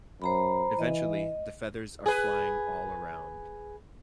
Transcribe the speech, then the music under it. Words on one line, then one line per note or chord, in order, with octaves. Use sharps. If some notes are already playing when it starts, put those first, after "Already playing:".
Eventually, the feathers are flying all around.
F#2 C5 A#5 B5
E3 D#5
G#4 B4